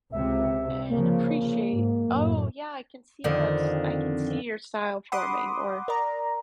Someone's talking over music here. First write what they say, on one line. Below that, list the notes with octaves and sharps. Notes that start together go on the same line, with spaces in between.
and appreciate, "Oh yeah, I can see that's, I can see your style forming," or
C#2 C3 E5
C#3 F3 A#3
G#2
F#2 A2
F2 D3 D#3
F#5 B5 C6 D6 D#6
A#4 D5 A#5